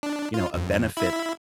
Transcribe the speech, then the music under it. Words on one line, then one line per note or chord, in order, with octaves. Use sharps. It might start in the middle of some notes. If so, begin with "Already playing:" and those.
you know, a benefit
D4
F4
F2
E4 E5 B5